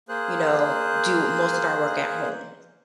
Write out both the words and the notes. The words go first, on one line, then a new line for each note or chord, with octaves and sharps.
you know, do most of our work at home.
A#3 G#4 C5 F#6